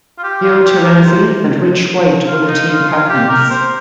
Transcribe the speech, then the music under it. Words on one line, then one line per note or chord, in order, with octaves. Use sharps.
Gil Terenzi and Rich White were the team captains.
F4
G4
F4
G4
A#4
C5
F4
D#4
F4
F4
G4
A#4
C5